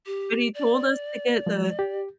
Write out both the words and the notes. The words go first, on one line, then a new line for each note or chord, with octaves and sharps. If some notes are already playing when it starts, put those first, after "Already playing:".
but he told us to get the
G4
D5
F3 G#3
G4